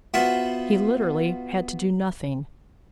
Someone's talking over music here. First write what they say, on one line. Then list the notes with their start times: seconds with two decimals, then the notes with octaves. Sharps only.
He literally had to do nothing.
0.14 B3 F4 F#4 C5 E5 F#5